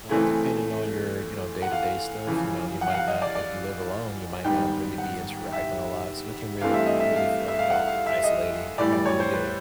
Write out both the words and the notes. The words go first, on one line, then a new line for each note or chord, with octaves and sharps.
uh, depending on your, you know, day-to-day stuff, you know, you might not if you live alone, you might not really be interacting a lot, so it can real really feel, you know, isolating, you know, really get a
C#3 E3 A3 C4
F#5
F5
F2 C#3 E3
F#5
F5
F#5
D#5
D5
D5
G#2 D#3 G3 B3 G5
F#5
E5
G2 E3 A3 C4 F5
E5
D#5
E5
F5
E5
F5
F#5
F5
E5
D#5
A2 E3 G3 D5
D5
C#5
C5
B4